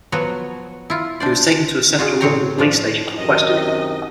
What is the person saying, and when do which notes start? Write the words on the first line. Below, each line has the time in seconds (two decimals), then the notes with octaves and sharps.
He was taken to a central London police station for questioning.
0.12 F3 F#3 B3 F#4 C#5
0.90 E4 F4
1.20 D4 C5 D5
1.99 F4 F#4 G#4
2.21 A2 C4 G#4 C#5 G5 A#5
2.58 A2 F3 D5
3.18 F#2 C3 D#3 D#5